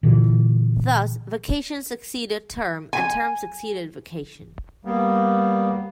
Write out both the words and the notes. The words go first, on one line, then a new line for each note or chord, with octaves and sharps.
Thus, vacation succeeded term, and term succeeded vacation.
A#2 D3 E3
G#5
G3 A#3 B3